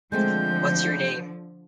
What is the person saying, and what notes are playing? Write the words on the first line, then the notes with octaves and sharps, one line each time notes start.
What's Your Name?
D3 F3 G#3 A3 C4 G6